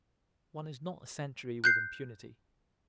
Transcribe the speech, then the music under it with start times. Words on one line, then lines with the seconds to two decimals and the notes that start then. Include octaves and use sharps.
One is not a century with impunity.
1.64 F#6 G6 C7